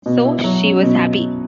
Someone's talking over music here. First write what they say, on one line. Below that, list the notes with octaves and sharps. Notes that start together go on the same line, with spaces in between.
So she was happy.
B2
E4
F#3
C#4
B2